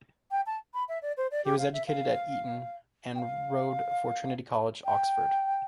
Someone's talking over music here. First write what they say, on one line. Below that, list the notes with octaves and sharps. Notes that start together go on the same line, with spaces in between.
He was educated at Eton and rowed for Trinity College, Oxford.
G5
A5
B5
E5
D5
C5
D5
G4
F5
E5
F5
G5
F5
G5